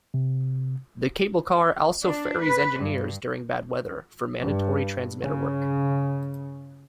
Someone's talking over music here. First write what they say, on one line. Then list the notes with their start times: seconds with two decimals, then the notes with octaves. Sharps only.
The cable car also ferries engineers during bad weather, for mandatory transmitter work.
0.14 C3
2.04 D4
2.41 B4
2.80 G2
4.40 G2
5.22 C#3